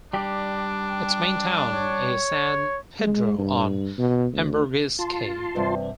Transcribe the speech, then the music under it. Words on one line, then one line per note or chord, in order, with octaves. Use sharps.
Its main town is San Pedro on Ambergris Caye.
G3 D4 G4
C#5
G#3
G2
B2
D2
F4 A5 C6
E2 G2 C3